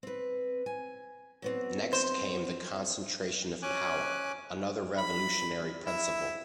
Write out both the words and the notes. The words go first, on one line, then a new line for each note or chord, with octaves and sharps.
Next came the concentration of power, another revolutionary principle.
C4 B4
G#5
F#3 B3 C4
C5
C#4 G#5 D6 F#6
B5
E4